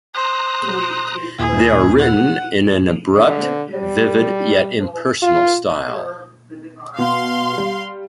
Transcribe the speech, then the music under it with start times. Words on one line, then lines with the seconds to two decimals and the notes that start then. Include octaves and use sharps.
They are written in an abrupt, vivid, yet impersonal style.
0.15 C5 A#5 D#6 F#6
1.39 D#2 A#2 E4 G#4
1.99 F#5
3.15 D3
3.70 G3
5.22 F4
6.98 B2 F5 C6
7.58 G3